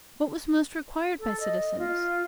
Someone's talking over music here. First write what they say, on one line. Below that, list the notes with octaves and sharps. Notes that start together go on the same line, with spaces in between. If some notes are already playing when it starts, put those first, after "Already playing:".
What was most required by citizens?
A4
D#5
F4